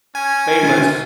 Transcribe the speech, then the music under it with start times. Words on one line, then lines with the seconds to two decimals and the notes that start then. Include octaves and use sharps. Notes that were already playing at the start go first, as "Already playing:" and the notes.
pretty much
0.15 C#4 G#5
0.63 B2 D3 D#3 F4